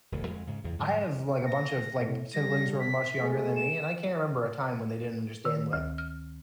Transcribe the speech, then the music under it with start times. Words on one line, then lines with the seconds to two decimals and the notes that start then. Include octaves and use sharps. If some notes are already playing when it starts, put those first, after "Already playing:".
I have, like, a bunch of, like, siblings who are much younger than me, and I can't remember a time when they didn't understand, like,
0.12 E1 D2
0.27 F2 G#3
0.47 G#2 C#3
0.64 E2 C#3
0.78 G#2 D3 F#3
1.46 A#6
1.96 A2
2.34 D3 G3 A#6
2.80 B6
3.19 G#3 A3 G#4
3.56 E7
5.45 D#3
5.73 D2
5.98 F6